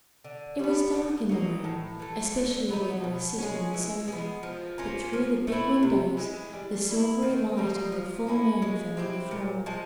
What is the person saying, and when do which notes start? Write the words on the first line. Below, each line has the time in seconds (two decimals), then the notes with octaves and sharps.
It was dark in the room especially where they were sitting on the sofa, but through the big windows the silvery light of the full moon fell on the floor.
0.24 D3
0.59 G3 B3
0.94 D3
1.29 F#3 A#3 D#4
1.64 A2
1.99 E3 A3
2.33 D3
2.69 F#3 B3 D#4
3.04 B2
3.38 G#3 C#4
3.74 E3
4.08 G#3 B3
4.43 F3
4.78 A#3 C#4 F4
5.13 F3
5.47 A3 C4 E4
5.83 C3
6.17 E3 G#3
6.53 G3
6.88 B3 E4
7.22 D#3
7.57 G3 A#3 D#4
7.92 F3
8.27 A#3 C#4 E4
8.62 G#3
8.97 C4 E4 G4
9.31 A#2
9.66 F3 G#3